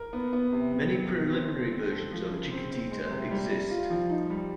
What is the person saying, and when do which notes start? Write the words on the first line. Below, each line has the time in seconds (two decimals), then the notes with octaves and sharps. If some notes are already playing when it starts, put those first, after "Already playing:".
Many preliminary versions of "Chiquitita" exist.
Already playing: A#4
0.13 B3
0.33 B3
0.52 C3
0.72 C3
0.92 F#3
1.12 B2
1.32 C4
1.52 A3
1.72 C4
1.92 A4
2.11 F3
2.31 C#3
2.51 C4
2.71 C4
2.91 G#3
3.11 C3
3.31 G3
3.50 G3
3.71 F4
3.90 F3
4.10 D#4
4.30 G3